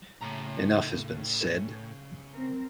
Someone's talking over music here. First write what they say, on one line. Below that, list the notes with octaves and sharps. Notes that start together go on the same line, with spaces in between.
Enough has been said.
A2 C#3 A#5
C4 A#4